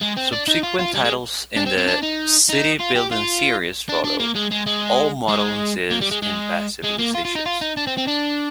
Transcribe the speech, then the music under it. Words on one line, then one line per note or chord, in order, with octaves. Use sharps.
Subsequent titles in the "City Building Series" followed, all modeling cities in past civilizations.
G#3
C4
D4
D#4
F4
F4
G3
G#3
D4
C4
C4
D4
D#4
D#4
F4
G4
F4
D4
D4
A#3
G#3
G#3
G#3
G#3
A#3
G3
G#3
G#3
G#3
A#3
F4
F4
D#4
F4
D#4
D4
C4
C4
D4